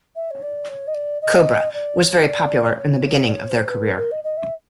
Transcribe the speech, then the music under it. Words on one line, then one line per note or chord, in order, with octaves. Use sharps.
Cobra was very popular in the beginning of their career.
E5
C#5
D5
C#5
D#5
D5
D#5
D5
C#5
D#5
D5
C#5
C#5
D5
C#5
C5
B4
A#4
A#4
D#5
D#5
E5